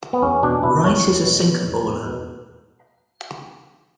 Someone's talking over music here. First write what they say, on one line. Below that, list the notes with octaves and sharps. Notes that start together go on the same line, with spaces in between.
Wright is a sinkerballer.
B3
E2 C#4
B2 D4
B2 E4
E2 C#5
E2
B2
B2
E2
E2
B2